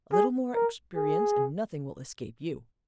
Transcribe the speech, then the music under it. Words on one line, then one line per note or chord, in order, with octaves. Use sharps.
A little more experience, and nothing will escape you.
G#4
A#4
G#4